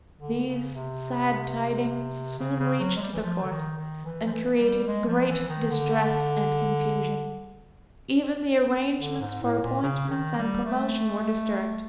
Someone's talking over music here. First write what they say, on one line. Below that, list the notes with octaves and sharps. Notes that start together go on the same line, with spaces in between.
These sad tidings soon reached the Court, and created great distress and confusion: even the arrangements for appointments and promotion were disturbed.
D3
C#3
C3
C#3
C#3
F#3
G#3
G3
E3
F3
D3
D#3
D#3
E3
F3
E3
G3
G#3
F3
E3
D#3
D3
D3
G#2
A2
A#2
C#3
D#3
G3
A3